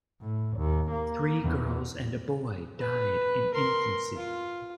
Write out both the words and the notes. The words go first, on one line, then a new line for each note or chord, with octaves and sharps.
Three girls and a boy died in infancy.
A2
D#2
A#3
E2
B4
A#4 C6
F4